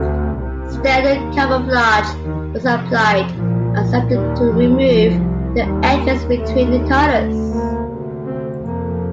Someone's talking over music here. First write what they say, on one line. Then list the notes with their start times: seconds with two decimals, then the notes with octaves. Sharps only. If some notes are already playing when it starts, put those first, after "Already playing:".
Standard camouflage was applied and sanded to remove the edges between the colors.
Already playing: D2 C3
0.36 C2 C3
0.74 A#3
1.11 D#2 A#3
1.87 D#2
2.25 D#3
2.62 F2 C3
3.37 C2 A#2 F3
4.13 D#2 G3
4.50 F3
4.87 C2 C3 F3
5.63 D#2 G3
6.38 D#2 A3
7.13 D2 C3 A3
7.51 A#3
7.89 D2 C3
8.26 C4
8.64 F2 C3 A#3